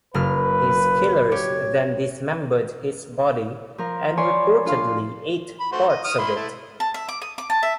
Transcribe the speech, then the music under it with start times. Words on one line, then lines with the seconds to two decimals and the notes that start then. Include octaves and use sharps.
His killers then dismembered his body and reportedly ate parts of it.
0.14 F#1 B4 F6
1.32 G4 C#5
3.78 F3 A#4
4.17 C#5 D5 G#5 B5 C6
4.65 D4 F4 F5 C6 F6
5.60 B5
5.72 A3 F#4 C5
5.89 D#5
6.05 D#6 F6
6.18 E4 B5 C6
6.36 A3 E4
6.80 A5
6.94 E5
7.09 D6
7.22 D#6
7.38 D6
7.50 A5
7.63 E5